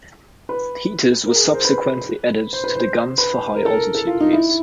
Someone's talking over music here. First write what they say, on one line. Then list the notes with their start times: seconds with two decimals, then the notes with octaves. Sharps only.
Heaters were subsequently added to the guns for high-altitude use.
0.49 B4
1.26 A#4
1.35 G#4
1.45 A#4
1.54 C5
1.65 B4
2.53 C5
2.64 B4
2.76 C5
3.18 B4
3.56 A#4
3.65 A4
3.73 A#4
3.95 A4
4.07 F4
4.20 D#4
4.33 E4